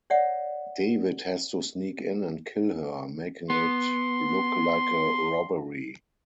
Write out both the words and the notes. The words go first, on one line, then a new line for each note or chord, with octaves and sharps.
David has to sneak in and kill her, making it look like a robbery.
C#5 D5 E5 F#5
B3 C6